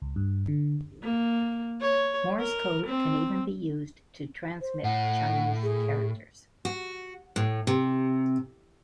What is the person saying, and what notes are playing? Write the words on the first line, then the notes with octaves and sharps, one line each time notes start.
Morse code can even be used to transmit Chinese characters.
C#2
G2
D3
A#3
C#5
A#4
C4
C5
A2 F#5
G#4
F#4
A2
C3